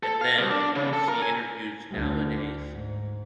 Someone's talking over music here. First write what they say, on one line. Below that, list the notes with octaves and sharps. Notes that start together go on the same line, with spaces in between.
and then you see interviews nowadays,
A4
F5
C2
D4
C#3
A4
A#4
G#5
D2
G#2